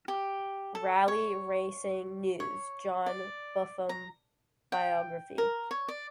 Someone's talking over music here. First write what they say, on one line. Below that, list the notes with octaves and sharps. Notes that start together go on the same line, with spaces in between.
"Rally Racing News" John Buffum biography.
G4
A4
C#5
C#5
D5
A#5
G5
A#4
C#5
D5